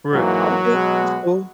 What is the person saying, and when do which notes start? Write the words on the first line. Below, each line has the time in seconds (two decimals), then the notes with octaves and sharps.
Right, okay, that's cool.
0.13 G#2 E3 F#3 A#3 F#4
0.71 B2 G#3 B3